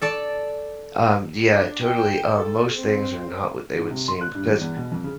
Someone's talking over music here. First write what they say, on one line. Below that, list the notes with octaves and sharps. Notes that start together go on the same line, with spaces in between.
Um, yeah, totally. Uh, most things are not what they would seem because,
A4 D5 A5
D4
G5
A4
C4
G#2
C3
C6
F#6
G2
E2
E2
B2
F2
C#3